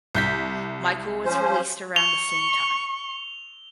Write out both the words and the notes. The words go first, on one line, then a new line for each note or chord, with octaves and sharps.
Michael was released around the same time.
C2 G6 B6
F3 C#4 C5
C#6 F7 G7